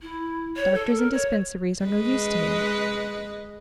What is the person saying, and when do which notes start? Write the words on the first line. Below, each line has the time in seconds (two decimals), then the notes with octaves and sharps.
Doctors and dispensaries are no use to me.
0.02 E4
0.56 C#5
0.74 A4
0.96 A#4
1.12 C#5
1.84 G#3 B4 D#5